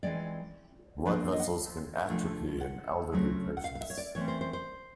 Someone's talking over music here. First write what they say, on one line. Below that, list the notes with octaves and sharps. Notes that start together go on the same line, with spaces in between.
Blood vessels can atrophy in elderly patients.
E3 G#3 C4 D5
F3 A#3 D4 B4
D#5
F#5
F5
C3 F3 A3 D4
F#5
C#3 F#3 A3 C4
F#5
F5
F5
E5
C#5
D5
E3 A3 C4 C#5
C5
C5
C5